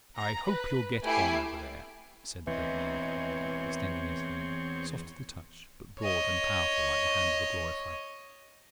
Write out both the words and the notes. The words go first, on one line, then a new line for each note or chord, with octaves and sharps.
"I hope you'll get on over there," said the great man kindly, extending his hand, soft to the touch, but broad and powerful like the hand of a glorified farmer.
A#5
B4
A3 E4 G4 G#5 C7 D7
E2 E3 C4 C#5 D#5
C#5 D#5